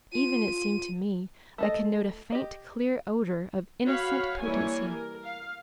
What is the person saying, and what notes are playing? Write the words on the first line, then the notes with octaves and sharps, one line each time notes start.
Even, it seemed to me, I could note a faint, clear odor of innocent potency.
F4 D#7
A3 A4 D#5
G4 D#5
F#4 C#5 F5 B5
E3 G3 A#3 E4 C#5 G#5
A#4
F5